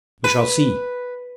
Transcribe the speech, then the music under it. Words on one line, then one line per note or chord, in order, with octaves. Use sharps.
We shall see.
B4